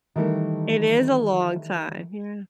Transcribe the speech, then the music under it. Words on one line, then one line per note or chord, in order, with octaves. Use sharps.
It is a long time, yeah.
D#3 E3 G3 A3